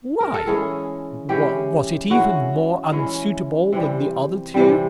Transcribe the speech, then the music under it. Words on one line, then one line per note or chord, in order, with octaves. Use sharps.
"Why, was it even more unsuitable than the other two?"
A#4
A4
E3 G#3 C#4 E4 G#4
E3 G#3 C#4 E4 G4
E3 G#3 C#4 E4 F#4
E3 G#3 C#4 E4
C3 E3 G3
C3 E3 G3